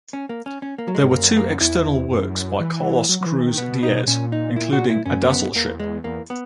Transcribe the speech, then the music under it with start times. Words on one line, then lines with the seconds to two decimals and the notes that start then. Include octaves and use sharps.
There were two external works by Carlos Cruz-Diez, including a Dazzle Ship.
0.13 C#4
0.29 A#3
0.46 C#4
0.62 C#4
0.78 A#3
0.88 F#3
0.95 G#3
1.03 G#2
1.11 F#2 A#3
1.36 A#3
1.61 E2 E4
2.10 F#2
2.60 E3
3.09 F#3
3.21 F#3
3.26 E3
3.42 D#3
3.58 B2 B3
3.83 D#4
4.07 A#2 C#4
4.32 D#4
4.56 E4
4.73 F#4
4.90 E4
5.06 F#2 C#4
5.22 A#3
5.31 B3
5.55 E2 A#3
5.80 G#3
6.04 E2 A#3
6.30 B3